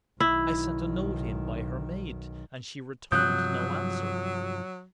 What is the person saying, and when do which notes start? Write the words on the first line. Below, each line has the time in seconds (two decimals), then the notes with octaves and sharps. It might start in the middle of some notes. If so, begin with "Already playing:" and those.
I sent a note in by her maid, and she returned no answer.'
0.20 B1 D#3 E4
3.12 G2 C3 F3 F#3 D#6 F#6 G6